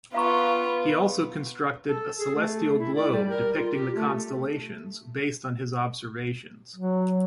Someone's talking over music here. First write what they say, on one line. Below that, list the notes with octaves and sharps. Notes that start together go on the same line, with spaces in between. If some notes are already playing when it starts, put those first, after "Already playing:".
He also constructed a celestial globe depicting the constellations, based on his observations.
B3 F4 F5 A#5 C#6
A4
G#4
A3
E4
D5
G3
A#4
F4
G4
A3
F#3